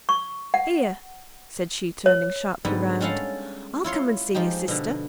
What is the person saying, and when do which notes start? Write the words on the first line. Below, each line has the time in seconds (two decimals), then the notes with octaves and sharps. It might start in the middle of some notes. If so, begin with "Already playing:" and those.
Here,' said she, turning sharply round, 'I'll come and see your sister.
0.09 C#6
0.54 F#5
2.06 C#5
2.65 G#2 D3 G3 B3
3.01 G3 G#3 C#4 A4 F5 F#5
3.84 E4 F4 C#5 C6
4.34 F3 G#3 D#4 G4
4.68 B2 D3